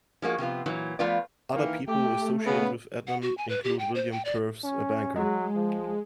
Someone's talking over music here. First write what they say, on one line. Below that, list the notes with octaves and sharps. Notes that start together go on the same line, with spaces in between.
Other people associated with Ednam include William Purves, a banker.
F3 G#3 A#3 F#4
C3 F3 B3 F4
A#2 E3 F#3
F3 A3 B3 F4 B4 D5
D#3 E3 A#3
A3 G4
C#3 B3
F#5
F#4
G#5
B4
G4
G5
C5
G5
D5
C#4
F#3 G#3
F3